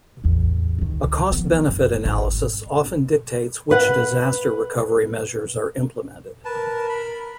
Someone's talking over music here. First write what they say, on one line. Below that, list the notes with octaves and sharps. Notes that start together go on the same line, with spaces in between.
A cost-benefit analysis often dictates which disaster recovery measures are implemented.
A1 E2
C#2 D#3
F3 B3
F#1
G#1
B4 F#5
A#4 B4 A5
B5